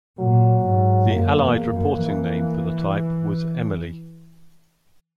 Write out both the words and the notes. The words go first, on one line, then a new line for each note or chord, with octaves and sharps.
The Allied reporting name for the type was "Emily".
A#2 F#3
G#2
F#2 A#3
E2
F#2
E3